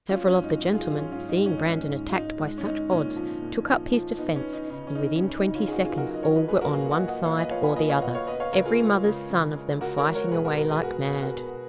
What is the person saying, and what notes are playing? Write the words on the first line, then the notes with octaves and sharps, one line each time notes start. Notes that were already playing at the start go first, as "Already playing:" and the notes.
Several of the gentlemen, seeing Brandon attacked by such odds, took up his defense, and within twenty seconds all were on one side or the other, every mother's son of them fighting away like mad.
F#3 C#4 F4
C#4
G#2
D#4
F#3 D#4
F4 G#4
F#3 F4 G#4
C#4
G#2 C#4 F4
D#4
G#2
C#4
D#4
G#2
C#4
G#2
F4
G#3 D#4
G#3
C#4
G#3 D#4
A#2 C#4
F3
A#2
F3
F3
B3 D#4
C#4
B3
D#4
C#3 D#4
C#4
C#3 D#4
C#4
C#3 D#4
D#4
C#3
C#4 F4
G#4
B3 D#4 F#4
F4 G#4
F#3 F#4 A#4
D#5
F3 A#4 C#5
B4 D#5
A#2 G#4 B4
F#4 A#4
A#2 F5 G#5
D#5 F#5
A#2
D#5 F#5
A#3 C#5 F5
B4 D#5
F3 C#5 F5
G#5 B5
A#2 B4 D#5
C#5 F5
A#2 D#5 F#5
C#5 F5
B3 B4 D#5
C#5 F5
C#3 A#4 C#5
F4 G#4
G#3
C#3
C#3
G#3
C#3 F#4 A#4
A#4 C#5
G#3
A#4 C#5
B2 G#4 B4
F#4 A#4
G#3 F#4 A#4
G#4 B4
B2 F#4 A#4
B2 G#4 B4
F#4 A#4
B2